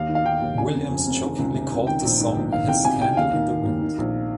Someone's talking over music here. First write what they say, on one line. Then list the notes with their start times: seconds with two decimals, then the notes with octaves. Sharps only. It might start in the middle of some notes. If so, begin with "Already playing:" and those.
Williams jokingly called the song his "Candle in the Wind".
Already playing: D#2 F5
0.09 D#3
0.15 F5
0.25 D#3 G5
0.42 D#2
0.58 C#3 G#5
0.74 F1
0.90 F2
1.07 F1
1.22 D#3
1.39 C#2
1.54 C3
1.72 C#2
1.87 D#3 G5
2.03 A#1
2.20 G#2
2.37 A#1
2.52 D#3 F5
2.68 C2 G5
2.85 C3 G#5
3.01 C2 G5
3.17 D#2 F5
3.33 D#3
3.49 D#3
3.65 D#2
3.81 D#3
3.98 A#1